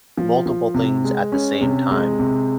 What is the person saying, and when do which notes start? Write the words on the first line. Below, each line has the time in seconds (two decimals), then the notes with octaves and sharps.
multiple things at the same time,
0.17 F3
0.46 F3
0.74 C3
1.04 G#3
1.32 C#4
1.61 C3
1.91 G#3
2.19 C3